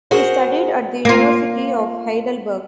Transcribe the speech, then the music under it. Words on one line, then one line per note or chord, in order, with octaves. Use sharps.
He studied at the University of Heidelberg.
F#4 G#4 A#4 C5 F#5
A#3 F4